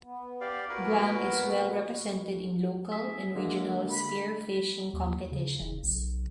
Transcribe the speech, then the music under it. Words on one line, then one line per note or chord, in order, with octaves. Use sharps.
Guam is well represented in local and regional spearfishing competitions.
B3
G4 D5 F5
A#2 B3 E4 F#4 A#4 B4
G#4 E5
D3 G#3 A#3
B5
D#2
C#3
F1
B1